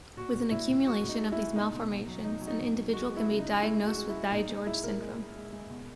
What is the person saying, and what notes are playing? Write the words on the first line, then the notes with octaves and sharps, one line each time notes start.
With an accumulation of these malformations, an individual can be diagnosed with DiGeorge syndrome.
A#2 F#4
A#2
A#2 E4
A#2
G#3 F#4
A#2
D#4
G#3
E4
G#3
B2 D#4
B2
B2
F#3
B2 D#4
F#3
D#4
B2
F#3
G#3 F#4
G#3
E4
C#3
D#4
C#3
G#3 E4
G#3
F#4
G#3
E4
G#3
A#2 D#4
G#3 D#4
G#3 E4
A#2 A#4
G#3
G#3
G#3
G#3
B2